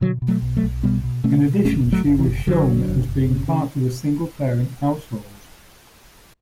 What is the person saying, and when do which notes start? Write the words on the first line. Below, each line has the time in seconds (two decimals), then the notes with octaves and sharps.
In addition, she was shown as being part of a single-parent household.
0.01 B2 D3 F#3
0.22 B2
0.28 F#3 A3
0.42 B1
0.57 F#3 A3
0.63 B1
0.83 B2 G3 B3
1.04 B2
1.24 B2 A3 C#4
1.45 B2
1.65 F#1 A3 C#4
1.85 F#1
1.93 F#3 A3
2.06 F#1
2.19 E3
2.26 F#1
2.46 F#1 D3 F#3
2.66 D3
2.88 F#1
3.07 F#1
3.28 C#3
3.48 C#3